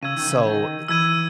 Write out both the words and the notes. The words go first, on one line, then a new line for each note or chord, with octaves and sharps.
So, eh eh
C#3 E6 G#6 D#7
D#3
C#3
D#3
E3 E6 G#6 D#7